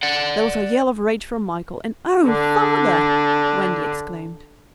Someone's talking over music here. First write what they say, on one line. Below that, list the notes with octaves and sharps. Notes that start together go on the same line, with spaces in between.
There was a yell of rage from Michael, and "O father!" Wendy exclaimed.
D5 F#5
D3 D4